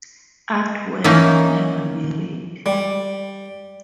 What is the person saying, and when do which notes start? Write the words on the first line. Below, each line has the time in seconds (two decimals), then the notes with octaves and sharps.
Atwell never married.
1.04 E3 A#3 C#4 D#4
2.66 G3